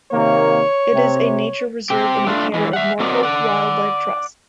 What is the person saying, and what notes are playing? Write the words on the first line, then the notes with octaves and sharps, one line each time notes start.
It is a nature reserve in the care of Norfolk Wildlife Trust.
C3 D#3 A#3 C#5
C3
C4 G4
A3 D4 F4
E3 G#3
E5 F#5
F#3 C4 F#4 A#4 D5 D#5
D5 F#5